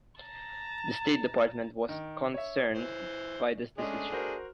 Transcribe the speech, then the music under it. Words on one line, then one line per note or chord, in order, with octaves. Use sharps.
The State Department was "concerned" by this decision.
A5 A#5
D#3
C#5 E5
E3 C5
G#3 A3 C#4 D4 G#4
F#4 A#4 C5